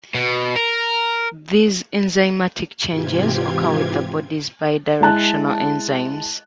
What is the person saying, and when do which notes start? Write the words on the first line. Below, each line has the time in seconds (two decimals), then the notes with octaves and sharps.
These enzymatic changes occur with the body's bidirectional enzymes.
0.14 B2
0.56 A#4
2.87 G#2 C3 E3 F4 G4 G#6
5.01 G#3 E4 A5 F#6